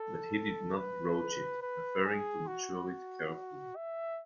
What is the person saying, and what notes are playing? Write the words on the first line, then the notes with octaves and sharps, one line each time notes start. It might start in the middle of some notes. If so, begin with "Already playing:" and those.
But he did not broach it, preferring to mature it carefully.
Already playing: A4
B4
B4
G#4
F#4
E5